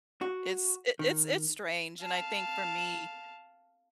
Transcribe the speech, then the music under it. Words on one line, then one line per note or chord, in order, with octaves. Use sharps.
It's it it's it's strange, and I think, for me,
F#4
D#3
F5 A5